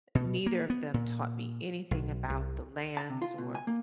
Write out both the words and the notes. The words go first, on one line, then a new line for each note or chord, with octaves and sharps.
neither of them taught me anything about the land or,
B2
A#3
B3
A#2
B1
C2
A5
C3
F4
B2
G#5
A#3